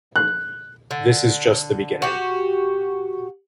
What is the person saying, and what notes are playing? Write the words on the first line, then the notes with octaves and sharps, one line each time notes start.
This is just the beginning.
F#6
D3
F#4 G4